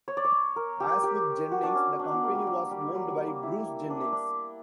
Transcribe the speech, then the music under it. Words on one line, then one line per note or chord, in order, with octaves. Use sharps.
As with Jennings, the company was owned by Bruce Jennings.
C#5
D5
C#5
A#4
G4
G4
F#4
D4
C#4
D4
B3
A#3
G3
G3
G3
F#3
G3
A#3
E4
D4
E4
D4